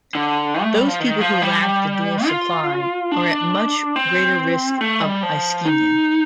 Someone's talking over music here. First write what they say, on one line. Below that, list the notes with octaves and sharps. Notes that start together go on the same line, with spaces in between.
Those people who lack the dual supply are at much greater risk of ischemia.
D3
A3
G3
F3
D#3
F3
G3
F4
D4
C4
A3
G3
F3
D#4